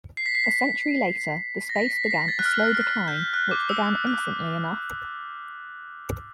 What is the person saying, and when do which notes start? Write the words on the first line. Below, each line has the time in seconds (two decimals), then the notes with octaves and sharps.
A century later, the space began a slow decline, which began innocently enough.
0.17 C7
0.26 B6
0.35 C7
0.44 B6
1.69 A#6
1.76 B6
1.93 B6
2.04 C7
2.11 B6
2.28 A6
2.39 F#6
2.45 F6
2.59 F#6
2.64 F6
2.74 F6
2.81 F#6
3.08 G6
3.34 F#6
3.51 D6
3.69 E6
3.86 E6
4.07 F#6